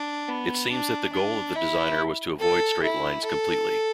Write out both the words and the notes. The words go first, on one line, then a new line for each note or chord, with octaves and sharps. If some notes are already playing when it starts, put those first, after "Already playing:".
It seems that the goal of the designer was to avoid straight lines completely.
Already playing: D4
B3
D4
D4
E4
A4
E4
A4